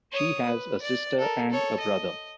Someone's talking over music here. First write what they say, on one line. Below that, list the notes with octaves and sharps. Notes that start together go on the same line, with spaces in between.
She has a sister and a brother.
C#5 D#6
B4
D5
A4 A#4
A4 C#5
D#5